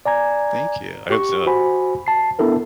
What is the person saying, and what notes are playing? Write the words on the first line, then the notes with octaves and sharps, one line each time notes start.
Thank you. I hope so.
D5 G#5 A#5 G#6
G4 C#6
F#4 C5 G#5 B5
A5 C7
B3 D4 E4 A4 A#4